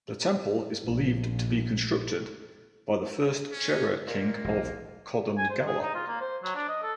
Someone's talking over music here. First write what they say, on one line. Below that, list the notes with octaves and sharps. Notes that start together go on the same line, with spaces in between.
The temple is believed to be constructed by the first Chera king of Kodungallur.
A#1
C#4
D#2 A#2 A#3
E1 B1
G#5
C5
G#4
D#4
F4
A#3
C5
F#3
D4
D#5
A4